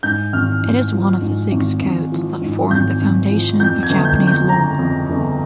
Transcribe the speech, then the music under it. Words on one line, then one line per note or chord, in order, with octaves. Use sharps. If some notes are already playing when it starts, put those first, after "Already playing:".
It is one of the Six Codes that form the foundation of Japanese law.
G#2 G6
G#1 F6
G#1
F3
G#2
G#1
G#1
F3
G#2
G#1 G6
G#1
F3
F2 G6
G#6
G1
G6
G1
G6
C#3 A#5
F2
G1